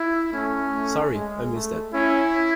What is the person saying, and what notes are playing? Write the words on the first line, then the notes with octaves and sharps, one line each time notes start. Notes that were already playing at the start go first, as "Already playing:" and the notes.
Sorry, I missed that.
Already playing: E4
A3 C#4
A3
G#3
A3
C#4 E4